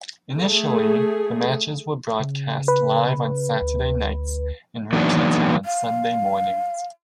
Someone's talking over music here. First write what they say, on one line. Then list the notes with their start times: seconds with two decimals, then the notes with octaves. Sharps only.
Initially, the matches were broadcast live on Saturday nights and repeated on Sunday mornings.
0.35 A3 G#4
2.20 C#3
2.68 B4
3.62 D2
4.93 E3 F#3 A#3 B3 D4 D#4
5.65 F5